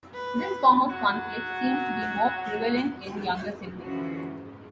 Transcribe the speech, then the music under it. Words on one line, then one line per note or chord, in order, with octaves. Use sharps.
This form of conflict seems to be more prevalent in the younger sibling.
B4
F#3 F#4
D3 E3 F3 G#3 C#4 F#4
G#2